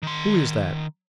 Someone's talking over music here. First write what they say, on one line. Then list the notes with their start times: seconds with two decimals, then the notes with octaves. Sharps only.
Who is that?'
0.03 D#3 C6